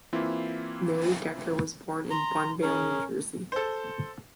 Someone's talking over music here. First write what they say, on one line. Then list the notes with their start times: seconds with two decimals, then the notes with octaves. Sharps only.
Mary Decker was born in Bunnvale, New Jersey.
0.13 E3 A#3 C4 E4 F4
2.10 A#5 C6
2.62 C#4 G#4 A#4
3.52 A4 C5